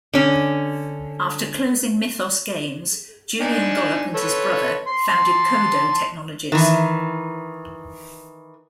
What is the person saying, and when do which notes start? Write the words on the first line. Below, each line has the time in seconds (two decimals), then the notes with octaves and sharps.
After closing Mythos Games, Julian Gollop and his brother founded Codo Technologies.
0.14 D3 C#4
3.41 D4 D#4 G#5
4.15 A4 B4 C#5
4.86 C6
5.09 A5 C6
6.52 D#3 E3